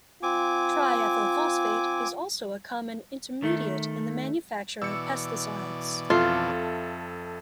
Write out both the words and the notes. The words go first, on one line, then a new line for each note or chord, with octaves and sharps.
Triethyl phosphate is also a common intermediate in the manufacture of pesticides.
C4 F4 G#5 D6
D#3 A3
B2 E3 D5 E6 C#7
F2 F4 A4 E5